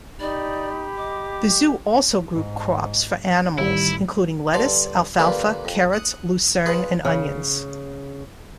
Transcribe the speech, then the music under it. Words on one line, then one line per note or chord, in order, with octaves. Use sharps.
The zoo also grew crops for animals including lettuce, alfalfa, carrots, lucerne and onions.
D#4 G4 D5 B5
D#5 D6
G#2
A1 D#3 G3 E4
G2 D3 A4 D5 C6
D3 A#3 D4 F4 G4 B4
F2
F#5 D#6
F4 G#4 B4 D#5 F#5
C#3